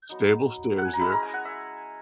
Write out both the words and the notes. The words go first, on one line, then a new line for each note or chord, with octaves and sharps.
stable stairs here,"
F#3 B3 D#4
F#5
G#5
A#5
G#3 C#4 E4 B5
A#5
G#5
F#5
E5